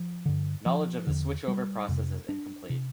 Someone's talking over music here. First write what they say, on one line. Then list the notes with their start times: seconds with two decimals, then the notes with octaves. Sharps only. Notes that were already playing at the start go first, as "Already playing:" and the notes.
Knowledge of the "switchover" process is incomplete.
Already playing: F3
0.26 G2 D3
0.66 F3
1.07 E2 D3
1.48 G3
1.89 F2 C3
2.29 D4
2.70 C3